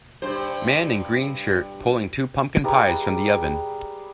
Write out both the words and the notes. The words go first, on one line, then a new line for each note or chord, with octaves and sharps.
Man in green shirt pulling two pumpkin pies from the oven.
G2 C5
G3 G#4 B4 A#5